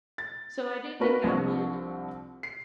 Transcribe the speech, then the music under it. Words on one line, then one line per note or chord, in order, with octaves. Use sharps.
So I do think that would
A6
A#3 B3 F#4 A#4 B4
C2 F3 C4 D4 C#6
C7